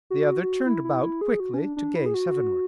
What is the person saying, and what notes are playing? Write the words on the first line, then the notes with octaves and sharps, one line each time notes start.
The other turned about quickly to gaze heavenward.
F#4
E4
E4
E4
G#4
F#4
C#4
D4
D4
E4
G#4
F#4